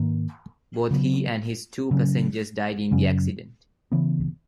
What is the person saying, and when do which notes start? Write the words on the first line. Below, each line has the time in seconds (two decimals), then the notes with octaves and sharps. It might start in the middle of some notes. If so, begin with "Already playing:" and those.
Both he and his two passengers died in the accident.
Already playing: G#2 D#3 A#3
0.91 C#3 F#3 B3
1.91 C#3 F#3 C#4
2.91 F#2 C#3 F#3 C#4
3.92 C#3 E3 B3